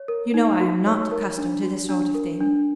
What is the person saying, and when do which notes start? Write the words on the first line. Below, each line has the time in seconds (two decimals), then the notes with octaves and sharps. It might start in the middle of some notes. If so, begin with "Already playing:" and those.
You know I am not accustomed to this sort of thing.
Already playing: C#5
0.08 A#4
0.34 D#4
0.60 F#4
0.86 C#5
1.11 A#4
1.38 D4
1.63 F#4
1.89 D4
2.14 A#4
2.40 D4